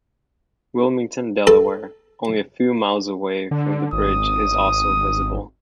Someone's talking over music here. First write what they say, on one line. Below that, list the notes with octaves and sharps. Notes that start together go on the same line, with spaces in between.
Wilmington, Delaware, only a few miles away from the bridge, is also visible.
A4
D3
G#1 D#6